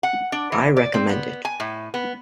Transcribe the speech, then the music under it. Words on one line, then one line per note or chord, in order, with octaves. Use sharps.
I recommend it.
F#5
D4
E3
D5
C4
B3
G#5
A2
B3